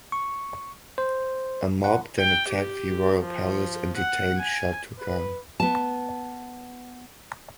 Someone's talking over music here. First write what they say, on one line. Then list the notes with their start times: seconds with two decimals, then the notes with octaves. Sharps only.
A mob then attacked the royal palace and detained Shah Turkan.
0.12 C#6
0.98 C5
1.84 F#5
2.19 G5
2.49 G4
3.20 F3
3.97 F#5
4.39 G#5
4.98 B4
5.60 B3 A5